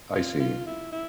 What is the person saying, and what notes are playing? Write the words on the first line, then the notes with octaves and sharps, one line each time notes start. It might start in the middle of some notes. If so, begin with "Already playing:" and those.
I see.
F4
F4
E4
E4